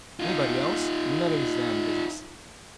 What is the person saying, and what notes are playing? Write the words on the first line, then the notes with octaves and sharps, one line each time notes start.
Anybody else, none of his damn business.
D#4 F4